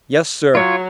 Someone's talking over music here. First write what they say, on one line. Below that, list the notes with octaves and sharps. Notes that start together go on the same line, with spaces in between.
"Yes, sir."
F#3 F4 C#5